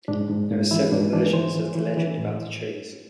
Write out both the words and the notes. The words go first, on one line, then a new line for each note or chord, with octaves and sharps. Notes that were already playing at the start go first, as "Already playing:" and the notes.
There are several versions of the legend about the trees.
G#2 D4
G#2
G#2
E3 E4
G#2 D4
E3 D4
E3 C5
E3
E3
E3
A2